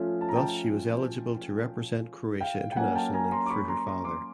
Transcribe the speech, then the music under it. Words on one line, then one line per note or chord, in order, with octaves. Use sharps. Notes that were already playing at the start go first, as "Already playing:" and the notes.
Thus she was eligible to represent Croatia internationally through her father.
Already playing: F3 A3 C#4 F4
A5
A#5
G5 A5
F5 G5
G5
F#3 A#3 C#4 F#5 G#5
G5 A5
G#5 A#5
A#5 C6
D6
B5 C#6
A#5 C6
A#5 C6
C6 D6